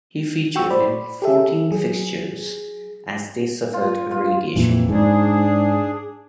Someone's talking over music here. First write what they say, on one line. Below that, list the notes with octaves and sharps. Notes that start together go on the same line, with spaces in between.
He featured in fourteen fixtures as they suffered relegation.
F#4 G5 C#6 E6
C5 D5 B5
G4 A4 E5
F#3 G#4
F4
F4
F2 A#2 E3
G#2 D4 G#4